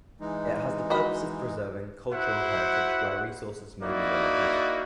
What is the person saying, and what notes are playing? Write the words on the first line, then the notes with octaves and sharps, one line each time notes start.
It has the purpose of preserving cultural heritage where resources may be limited.
E3 G#3 D#4
F#4 D#5 B5
E4 F#4 C5 F#5
A#3 D#4 E4 F#4 D5